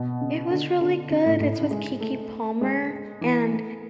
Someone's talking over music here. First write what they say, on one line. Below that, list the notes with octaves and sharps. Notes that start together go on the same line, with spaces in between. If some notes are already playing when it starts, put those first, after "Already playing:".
It was really good. It's with Keke Palmer and
Already playing: B2
C#3
D3
D3
C#3
A2
A2
C#3
G#3
A3
G#3
E3
A3